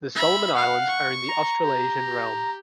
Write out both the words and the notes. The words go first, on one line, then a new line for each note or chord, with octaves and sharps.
The Solomon Islands are in the Australasian realm.
E5 B5
F5 F#5
C#6
A#5
G4